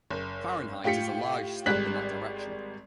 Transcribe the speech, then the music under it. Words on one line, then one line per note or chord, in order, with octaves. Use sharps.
Fahrenheit is a large step in that direction.
F#1
A2 F4 G4 B6 C#7
G#1 G3 G#3 F#6 B6 F#7